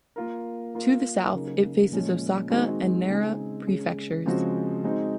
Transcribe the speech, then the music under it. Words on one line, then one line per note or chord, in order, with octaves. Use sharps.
To the south, it faces Osaka and Nara Prefectures.
A#3 F4 A#4
A#3 F4 A#4
C#3 F#3 A#3 D#4 A#4
A#2 F3 G#3 C#4
D#3 G#3 C4 F#4
C#3 G#3 C4 D#4 G#4
C#3 G#3 C#4 G#4
C#3 F3 G#3 C4 F#4
G#3 C4 D#4 F#4